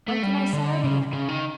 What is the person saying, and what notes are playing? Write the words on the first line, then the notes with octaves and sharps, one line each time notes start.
"When can I set out again?"
A3
G3
D3
C#3
C#3
D#3